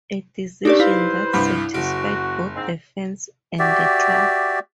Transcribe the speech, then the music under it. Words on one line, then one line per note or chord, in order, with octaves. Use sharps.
A decision that satisfied both the fans and the club.
F#2 C#3 A3 D4 D#4 G4 D5
E4 B4 C5 F5
C2 G2 B5
F#1 F#4 D7
G#2 C4
F#4 G4 D5 E5